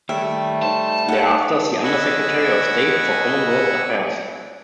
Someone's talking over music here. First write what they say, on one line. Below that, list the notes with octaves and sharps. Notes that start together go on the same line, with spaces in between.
Thereafter, see Under-Secretary of State for Commonwealth Affairs.
D#3 G3 A3 C#5 E5 G5
D#4 C5 A5
D#4 A4 F#5
D#5 F#5 G#5 B5 C#6 E6